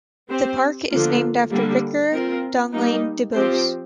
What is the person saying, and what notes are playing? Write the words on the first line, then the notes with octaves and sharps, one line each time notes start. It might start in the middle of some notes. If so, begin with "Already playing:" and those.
The park is named after Victor Donglain Duboce.
C4 G4 C5
D3 F3 A#3 F4
D3 G3 A#3
C4 F4 A#4
G3 A#3 D#4
F3 C4 G4 C5